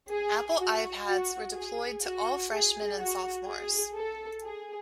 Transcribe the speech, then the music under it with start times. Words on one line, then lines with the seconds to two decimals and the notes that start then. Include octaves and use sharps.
Apple iPads were deployed to all freshman and sophomores.
0.11 G#4
0.59 F#4
1.07 F#4
1.55 G#4
2.03 F#4
2.51 G#4
2.98 F#4
3.46 G#4
3.95 A4
4.42 G#4